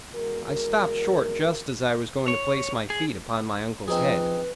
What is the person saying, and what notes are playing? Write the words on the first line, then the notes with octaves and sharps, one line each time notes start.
I stopped short just as I was going to place my feet upon my uncle's head.
E2 G#3 F#4 A#4
C#5
G#4
F3 C4 D#4 G#4 B4